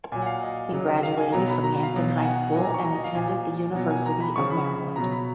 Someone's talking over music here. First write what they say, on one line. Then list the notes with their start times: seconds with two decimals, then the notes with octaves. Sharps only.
He graduated from Yankton High School and attended the University of Maryland.
0.12 A#2 F#3 G#5
0.22 F#5
0.26 F5
0.43 D#5
0.72 C#3 F#3
1.03 F5
1.17 G#5
1.32 B2 F#3 A#5
1.48 B5
1.64 A#5
1.83 F5
1.94 B2 F#3
2.18 G#5
2.24 F#5
2.54 A#2 F#3 G#5
2.65 A#5
2.74 C#6
2.85 A#5
2.95 D#5
3.04 F5
3.15 A#2 F3 G#5
3.75 B2 F#3 F#5
3.90 G#5
4.06 A#5
4.20 B5
4.36 C#3 F3 C#6
4.50 B5
4.65 B5
4.96 B2 F#3 A#5
5.11 B5